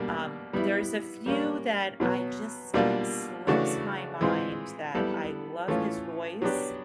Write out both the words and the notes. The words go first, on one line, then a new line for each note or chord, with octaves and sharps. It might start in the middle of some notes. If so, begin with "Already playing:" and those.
Um, there's a few that I just slips my mind that I love his voice,
Already playing: B2 G3 A#3 D4
G3 B3 E4
G3 A#3 C#4
B2 F#3 B3
B2 G3 A#3 D4 F4
C#3 E3 A3 D4 F#4
E3 G#3 C4 F4
G3 B3 E4 A4
A2 E3 A3 C#4 F4
F#3 B3 D4 G4